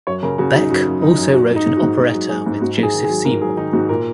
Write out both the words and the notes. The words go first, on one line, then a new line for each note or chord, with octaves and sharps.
Beck also wrote an operetta with Joseph Seymour.
F#2 C#5
C#3 A#4
C#3 F#4
F#3 D#4
F#2 F#4
F#2
F#2 D#4
F#2
F#3 F#4
G#2
D#4
G#2
F#4
G#2
G#2 D#4
F#3
F#3 G#4
G#2
G#2 F#4
G#2 G#4
D#3
G#4
F#3
G#2 A#4
F#3 G#4
D#3 D#4
G#2 F#4
A#2 A#4